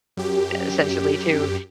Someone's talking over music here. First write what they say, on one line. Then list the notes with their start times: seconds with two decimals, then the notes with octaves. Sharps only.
essentially, to
0.17 F#2 G4